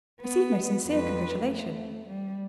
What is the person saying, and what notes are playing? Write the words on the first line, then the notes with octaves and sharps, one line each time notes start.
"Receive my sincere congratulation."
B3
F2 B4
A3
G3